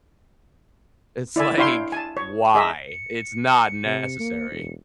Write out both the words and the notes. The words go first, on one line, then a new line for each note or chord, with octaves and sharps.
it's, like, "Why? It's not necessary."
E4 D5 E5 G#5
D4 E4 C#5 F5 G5 C6
G#5 A5
C#5
G#4 D#5 E5
C#7
C3
A#3
E1